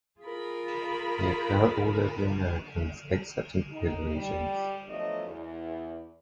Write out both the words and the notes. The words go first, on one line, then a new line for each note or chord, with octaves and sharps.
They occur all over the Americas except in polar regions.
F4 G#4 A#4 B5
D#4
G3
F3 F#3 A3 B3 D4 D#5
E2